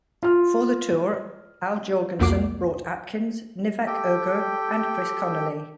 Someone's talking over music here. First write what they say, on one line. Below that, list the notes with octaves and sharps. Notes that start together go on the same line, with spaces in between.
For the tour, Al Jourgensen brought Atkins, Nivek Ogre and Chris Connelly.
F4 F6
C2 F2 A#3 F#4 D6 C7
G4 A4 G5